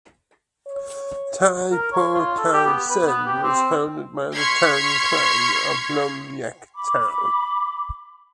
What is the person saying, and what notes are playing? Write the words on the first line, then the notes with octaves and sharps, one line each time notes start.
Tai Po Tau Tsuen was founded by the Tang clan of Lung Yeuk Tau.
C#5
A#4
C#5
F4
A4
G4
B3
B4
B3
G4
C4
C6 C#6 F6 G#6 B6 C7
B5 D6